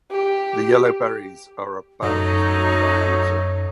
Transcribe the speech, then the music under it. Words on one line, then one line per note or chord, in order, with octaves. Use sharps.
The yellow berries are about in diameter.
G4
F#2 F#3 A3 D#4 C#5